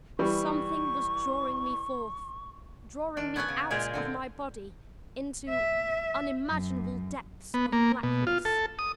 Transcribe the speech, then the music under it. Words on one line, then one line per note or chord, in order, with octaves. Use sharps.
Something was drawing me forth; drawing me out of my body into unimaginable depths of blackness.
E3 G3 C#6
D#3 D4
B3 C#4 C#5 F#5 G#5
C#3
A#2 G#3 F4 G4 G#4
D3 C4
E5
F#2
B3
A#3
B2
F4
A4
D#6